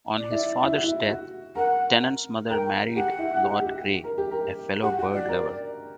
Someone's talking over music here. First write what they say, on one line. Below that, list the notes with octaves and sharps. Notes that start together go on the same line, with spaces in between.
On his father's death, Tennant's mother married Lord Grey, a fellow bird-lover.
D5
E4
E4
F#4
E4
F#4
A#4 F#5
A#4 G5
G4 F#5
E4
G4
G4
F#4
A#4
G4
A#4
G4 F#5
F#4 F#5
F#4 D5
A#4